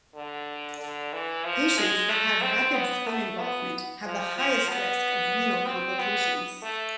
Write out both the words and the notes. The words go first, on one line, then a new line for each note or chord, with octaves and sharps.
Patients that have rapid skin involvement have the highest risk of renal complications.
D3
D3
E3
F3
G#3
A3
C4
B3
A3
B3
F3
F3
B3
C4
B3
A3